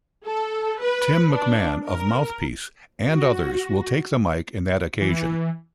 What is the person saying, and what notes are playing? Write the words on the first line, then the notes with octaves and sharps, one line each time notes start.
Tim McMahon of Mouthpiece and others will take the mic in that occasion.
A4
B4
D4
A#4
F#4
E3